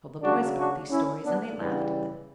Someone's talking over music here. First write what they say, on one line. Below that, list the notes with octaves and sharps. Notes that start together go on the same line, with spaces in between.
I told the boys about these stories, and they laughed at them.
C#3 F#3 D4 F#4
D4 F#4
C#4 E4
B3 D4
C#3 E3 G3 B3 D4